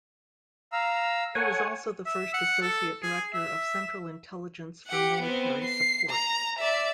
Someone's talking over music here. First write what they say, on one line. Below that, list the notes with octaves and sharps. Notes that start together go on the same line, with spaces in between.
He was also the first Associate Director of Central Intelligence for Military Support.
F5 A#5 E6
A4 C#5 F#5 G#5
E5
F#5
A4
G#4
E5
G4 F#5
B3 C4
C7
A#5
D5 E5